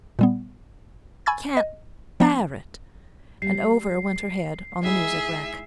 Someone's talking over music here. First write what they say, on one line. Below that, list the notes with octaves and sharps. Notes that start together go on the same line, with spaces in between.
"I can't bear it!" and over went her head on the music rack.
A#2 G3 B3
G#5 B5 C#6 E6 G#6 A6
D#5
F3 B3 D4 A#5 A6
G3 C7
G#3 D#4 E4 G#4 E5